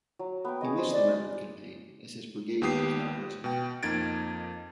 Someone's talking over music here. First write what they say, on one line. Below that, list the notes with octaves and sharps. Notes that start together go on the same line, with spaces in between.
He missed the Maryland Campaign as his brigade was not present.
F#3
B3 G5
G#4 C#5 D#5
C5
D5
D#2 B3 G4 D#6 C7
B2 G5
F2 A#3 D#4 G#6 A6 D7